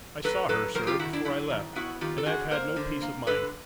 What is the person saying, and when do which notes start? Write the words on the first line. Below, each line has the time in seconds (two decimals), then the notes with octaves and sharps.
I saw her, sir, before I left, and I've had no peace of mind.
0.24 F#3 A4 B4
0.49 F#3 A4 B4
0.75 F#3 A#4 C5
0.83 G#4
0.87 F4 G4
0.99 D#3 E4 F#4
1.13 D4 E4
1.25 F#3 D4 E4
1.50 D#3
1.75 B3 E4 F#4
2.01 D#3 F4 G4
2.18 A4
2.25 D3 F#4 G#4
2.51 A#3 A#4 C5
2.76 D3
3.02 A#3
3.27 D3 A4 B4